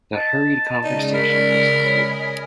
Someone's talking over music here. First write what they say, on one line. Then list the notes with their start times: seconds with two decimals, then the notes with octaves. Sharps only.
The hurried conversation was ended.
0.15 D#5 A5
0.84 C#3 G#3 D#4 D5
1.15 A#4 B5
1.84 C#5 D#5 G#5